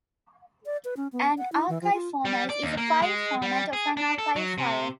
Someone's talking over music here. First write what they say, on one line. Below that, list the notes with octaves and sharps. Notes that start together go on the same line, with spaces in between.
An archive format is the file format of an archive file.
D5
B4
C#4
B3
F#5
E4
E3
F3
F4
G3
D5
D#2
A#3
G#3
G3
G#4
D4
A4
F#3
C3